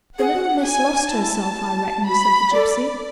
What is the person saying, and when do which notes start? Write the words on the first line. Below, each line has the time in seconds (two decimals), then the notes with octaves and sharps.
"The little miss lost herself, I reckon," said the gypsy.
0.18 G#4 F#5
0.34 F#4
0.50 D4
0.65 G#5
0.85 C#4
0.98 D4
1.12 E4 A5
2.07 F#4 B5
2.54 A4 D5